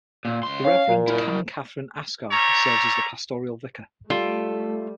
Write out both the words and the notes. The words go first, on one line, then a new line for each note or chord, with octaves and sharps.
The Reverend Canon Catherine Ascah serves as the Pastoral Vicar.
A#2
C#2 C6
C#4 F5
A#2
E4 A#4
G3 A3 C#5 A#5
G3 A3 F4 A4